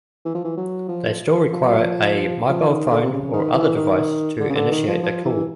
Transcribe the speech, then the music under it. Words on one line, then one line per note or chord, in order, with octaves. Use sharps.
They still require a mobile phone or other device to initiate a call.
E3
F3
E3
F#3
F3
F3
F#3
F3
F3
D#3
D3
C3
C#3
D#3
E3
D#3
D3
C#3
D3
D#3
F3
F3
E3